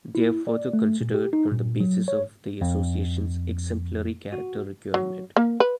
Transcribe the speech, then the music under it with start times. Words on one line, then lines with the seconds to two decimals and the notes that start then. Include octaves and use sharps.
They are further considered on the basis of the Association's exemplary character requirement.
0.15 E4
0.47 D5
0.73 A3
1.01 A#2
1.15 G4
1.33 D#4
1.51 A#2
1.80 F#3
2.08 C#5
2.61 F2
4.33 F#4
4.94 F#3
5.37 A#3
5.60 B4